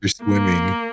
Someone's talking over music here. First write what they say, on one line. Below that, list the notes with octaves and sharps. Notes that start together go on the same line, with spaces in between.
You're swimming.
A#3